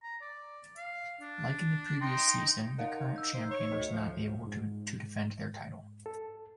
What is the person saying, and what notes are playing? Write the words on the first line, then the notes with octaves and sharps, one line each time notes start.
Like in the previous season, the current champion was not able to defend their title.
A#5
D5
F5
D4
D#4 G5 C6
D#4 A#4 F5 F#5
E6 G6
D#4 C5
C#5
D2 A4 D#5
F3
G#2
A4